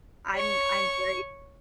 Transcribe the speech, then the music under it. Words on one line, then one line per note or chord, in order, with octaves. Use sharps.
I'm I'm very
C#5 C#6